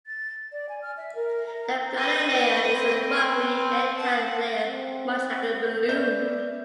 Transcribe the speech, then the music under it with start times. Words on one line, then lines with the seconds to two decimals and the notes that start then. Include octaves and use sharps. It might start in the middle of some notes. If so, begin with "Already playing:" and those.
The bladder layer is a rubbery, airtight layer much like a balloon.
0.06 A6
0.52 D5
0.69 G#5
0.82 F6
0.97 E5
1.15 A#4
1.46 A#5
1.97 B4 D#5
2.74 C4
3.14 B4
3.97 F#5 A5
4.65 C4
5.89 B3 D5 E5 G6